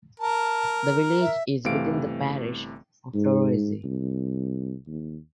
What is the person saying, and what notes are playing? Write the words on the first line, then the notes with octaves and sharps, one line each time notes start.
The village is within the parish of Torosay.
A#4 A5
E5
G1 C3 E3 A3 F5 D7
G#2
C2
D#2